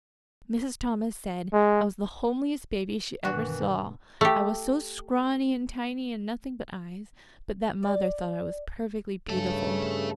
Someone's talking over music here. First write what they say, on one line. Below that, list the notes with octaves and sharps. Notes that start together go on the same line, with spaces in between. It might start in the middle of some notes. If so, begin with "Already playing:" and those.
Mrs. Thomas said I was the homeliest baby she ever saw, I was so scrawny and tiny and nothing but eyes, but that mother thought I was perfectly beautiful.
G#3
G1 B2 D#3 E3 D4 F#4
A3 G4
D5
G2 C#3 A3 A4